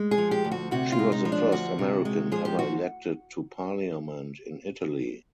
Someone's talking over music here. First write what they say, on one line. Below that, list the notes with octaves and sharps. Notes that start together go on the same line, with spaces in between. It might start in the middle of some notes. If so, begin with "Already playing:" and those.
She was the first American ever elected to parliament in Italy.
Already playing: G#3
G#4
F3
G4
D2
F#4
C3 F#4
F4
G#3
D#4
F3
D4
D2 F#4
C3
G#3
F3 G#4
G4
F#4